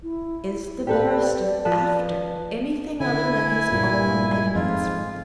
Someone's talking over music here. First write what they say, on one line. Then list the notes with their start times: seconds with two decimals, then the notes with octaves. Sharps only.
Is the barrister after anything other than his own advancement?
0.03 E4
0.87 G4 A4 B4 D5
1.65 F3 B4 A5
3.00 D3 E4 G#5
3.72 G2 A#2
4.55 F2 G#2 F4